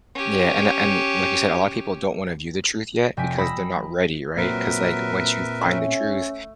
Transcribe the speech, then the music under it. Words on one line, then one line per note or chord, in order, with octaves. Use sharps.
Yeah, and and like you said, a lot of people don't wanna view the truth yet because they're not ready, right? 'Cause, like, once you find the truth,
C#4 G4
F1 G5 G#5 B6
B5 D#6 E6 A#6
A#2 F#3 C4 A#4 B4 E5
A3 C#4